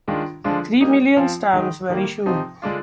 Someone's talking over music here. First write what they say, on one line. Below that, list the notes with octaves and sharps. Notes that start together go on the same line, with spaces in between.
Three million stamps were issued.
D#3 G#3 D4 F4
D3 F3 G#3 D4 F4
G3 A#3 D#4
F3 C4 F4
D#3 G#3 D#4
D#3 G3 A#3
C3 F3 C4 D#4
D3 G#3 D4 F4